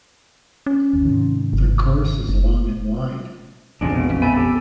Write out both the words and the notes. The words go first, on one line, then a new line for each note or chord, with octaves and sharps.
The course is long and wide.
C#4
G1 D#2
G#2 C3 D#3
G1
F#1
E1 A#1 F2 C#3 G#3 D4
B2
B2 F3 C#4
A3 B3 G5 G#5 B5
G4 A4